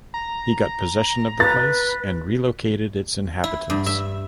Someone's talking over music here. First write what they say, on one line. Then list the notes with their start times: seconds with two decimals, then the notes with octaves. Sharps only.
He got possession of the place and relocated its inhabitants.
0.14 A#5
1.40 B4 A6
3.44 E4
3.70 G2
3.86 E5